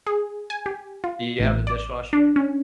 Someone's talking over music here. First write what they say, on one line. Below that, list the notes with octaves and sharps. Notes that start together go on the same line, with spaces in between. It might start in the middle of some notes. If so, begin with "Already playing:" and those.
Do you have a dishwasher?
G#4
G#5
G4
F4
A1
D5
D4
C#4